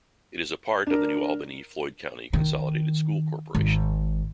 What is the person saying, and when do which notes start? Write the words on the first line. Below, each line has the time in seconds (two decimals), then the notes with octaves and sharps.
It is a part of the New Albany-Floyd County Consolidated School Corporation.
0.87 D4 A#4
2.33 D#3
3.55 G#1